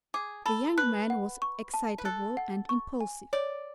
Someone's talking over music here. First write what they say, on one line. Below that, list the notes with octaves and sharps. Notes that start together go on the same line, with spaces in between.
The young man was excitable and impulsive.
G#4 D6
A4 B5
B4 F#6
F#5
C#6
A5
B4
A4 F#6
F#5
C#6
G#5
C#5 D5